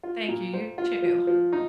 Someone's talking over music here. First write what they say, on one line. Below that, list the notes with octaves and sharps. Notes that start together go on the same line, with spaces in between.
Thank you, you, too.
F4
A#2
C5
F4
F3
F3
D#4